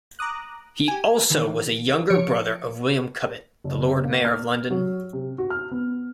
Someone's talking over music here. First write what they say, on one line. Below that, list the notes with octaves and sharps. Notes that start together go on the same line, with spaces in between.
He also was a younger brother of William Cubitt, the Lord Mayor of London.
A#5 D6 D#6 F#6
G4 G#5
D#3 E3
F3 C#5 C#7 D7
F#1
A#3
F6
F#3
C3
F#4
F6
B3